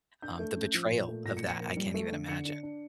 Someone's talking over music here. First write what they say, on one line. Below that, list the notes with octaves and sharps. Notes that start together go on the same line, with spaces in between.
um, the betrayal of that, I can't even imagine.
D4 G6
A3
C#4
F3
A#2
A3
A#2 A#6
C#7
F3
C#7
A#3
G3
A3
D3
D3 C#7
D4
D4